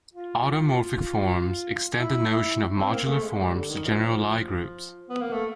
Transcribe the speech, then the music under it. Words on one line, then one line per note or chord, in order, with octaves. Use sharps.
Automorphic forms extend the notion of modular forms to general Lie groups.
F4
E4
C4
A#3
A3
G#3
G3
D3
D#3
F3
B3
A#3
A3